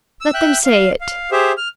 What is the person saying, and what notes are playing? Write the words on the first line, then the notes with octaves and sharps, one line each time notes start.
Let them say it.
E6
E5 G5 F#6
F5
F5
G4 G#4 C5 E5
F6